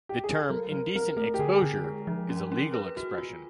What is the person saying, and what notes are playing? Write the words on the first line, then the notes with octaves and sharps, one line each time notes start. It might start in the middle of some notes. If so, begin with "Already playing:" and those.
The term "indecent exposure" is a legal expression.
G4
G#4
A4
F#3 A#4
F#3 A#4
C4 A#4
A3 A#4
G4
D3 G#4
D3
G#3
F3
C#4
C#4
B4
F#4
F4